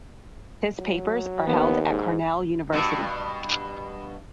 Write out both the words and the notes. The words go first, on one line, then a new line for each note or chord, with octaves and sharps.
His papers are held at Cornell University.
F#3
D#2 B3
G#2
G2 B2